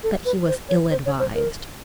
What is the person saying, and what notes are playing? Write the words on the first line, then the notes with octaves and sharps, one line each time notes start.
But he was ill-advised.
A4
B4
C5
C#5
C5
C#5
C5
A#4